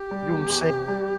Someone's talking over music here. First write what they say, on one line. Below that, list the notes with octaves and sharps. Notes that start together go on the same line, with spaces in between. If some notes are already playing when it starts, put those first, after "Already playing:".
You know I'm saying?
Already playing: G4
G3
E2
E2
C3
G3